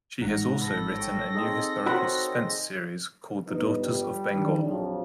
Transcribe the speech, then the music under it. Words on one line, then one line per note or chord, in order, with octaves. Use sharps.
She has also written a new historical suspense series called The Daughters of Bengal.
A1 G#2 F#5 A#5
A4 B5 A#6
C#5 G5
C4 D#4 G#4
F#4 A#4 C5 C#5 F#5 B5
G1 D#4 B4
G3
D#3 D4
A#1 F2 F#3